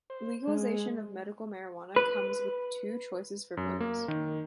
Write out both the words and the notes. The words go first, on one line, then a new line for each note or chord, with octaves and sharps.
Legalization of medical marijuana comes with two choices for voters.
C5
G#3
B4
F#2
A#3
D#3